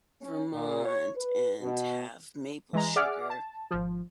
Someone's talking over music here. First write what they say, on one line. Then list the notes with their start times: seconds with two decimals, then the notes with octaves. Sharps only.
Vermont and have maple sugar,
0.21 C#4
0.53 A#2
0.84 C#5
1.16 B4
1.61 B2
2.73 E3 G#3 A#5
2.96 G#4 D5 E5 F#5 D6 F6
3.30 A5
3.71 G#1 F3